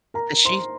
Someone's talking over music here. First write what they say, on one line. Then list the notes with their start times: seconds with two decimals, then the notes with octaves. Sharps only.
And she
0.14 A#4 A#5
0.45 C5 C6